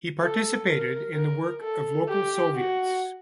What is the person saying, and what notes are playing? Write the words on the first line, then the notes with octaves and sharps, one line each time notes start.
He participated in the work of local soviets.
A4
A#4
A#4
A4
G4
F#4